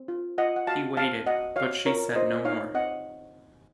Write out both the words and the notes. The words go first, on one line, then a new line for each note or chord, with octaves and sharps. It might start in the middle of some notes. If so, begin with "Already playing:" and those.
He waited, but she said no more.
Already playing: C4
F4
F4 D#5 F#5
F#5
F#4 F5 A5
C4 F5 A5
F#4 D#5 F#5
F#4 C#5 F5
F4 A#4 C#5
F4 C5 D#5
D#4 C#5 F5
C4 D#5 F#5